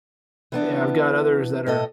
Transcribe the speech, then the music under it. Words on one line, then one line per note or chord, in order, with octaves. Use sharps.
yeah, I've got others that are
E3 B3 D4
A2 A4 D#5